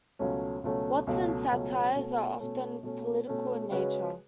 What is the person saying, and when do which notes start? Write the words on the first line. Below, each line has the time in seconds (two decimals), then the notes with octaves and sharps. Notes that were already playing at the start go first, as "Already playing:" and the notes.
Watson's satires are often political in nature.
0.19 C#2 B2 F#3 A3 C#4
0.63 C#2 B2 F#3 A3 C#4
1.07 C#2 B2 F#3 A3 C#4
1.51 C#2 B2 F#3 A3 C#4
1.95 B2 A3 C#4
2.39 B2 A3 C#4
2.83 B2 A3 C#4
3.27 B2 A3 C#4
3.70 C#3 G#3 C#4 F#4 B4